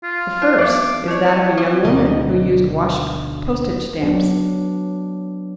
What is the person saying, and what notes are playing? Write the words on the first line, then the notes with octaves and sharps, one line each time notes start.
The first is that of a young woman who used washed postage stamps.
F4
E4 C5 C7
B3 C4 D6
E4 C#5 D#5
C4 C5
D2 B2 D3 A#4 D5 D#5
F#3 B3 D4